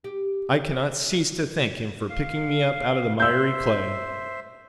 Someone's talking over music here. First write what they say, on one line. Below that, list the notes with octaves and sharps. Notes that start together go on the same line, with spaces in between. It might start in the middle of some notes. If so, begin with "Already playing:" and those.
I cannot cease to thank Him for picking me up out of the miry clay.
G4
F5
C5 E5 E6 G6